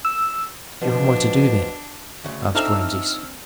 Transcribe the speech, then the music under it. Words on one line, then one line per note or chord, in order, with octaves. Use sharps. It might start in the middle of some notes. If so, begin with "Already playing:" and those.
"What am I to do, then?" asked Rameses.
E6
B2 F3 D4
D2 C#3
C4 D4 D#4 F4 A4 E5 E6 F6